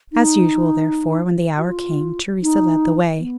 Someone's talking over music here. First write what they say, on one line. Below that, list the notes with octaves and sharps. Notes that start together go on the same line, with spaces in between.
As usual, therefore, when the hour came, Theresa led the way.
D#4
F#4
F4
D#4
B3